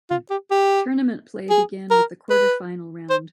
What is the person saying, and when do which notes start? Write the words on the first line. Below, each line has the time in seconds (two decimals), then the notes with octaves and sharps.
Tournament play began with the quarterfinal round.
0.10 F4
0.30 G4
0.51 G4
1.50 G#4
1.91 A#4
2.30 B4
3.10 C5